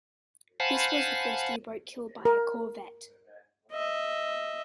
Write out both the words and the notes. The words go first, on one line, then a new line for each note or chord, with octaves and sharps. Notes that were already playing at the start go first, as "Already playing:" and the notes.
This was the first U-boat kill by a corvette.
C5 F5 F#5 G#5 A5 B5
A#4
D#5 E5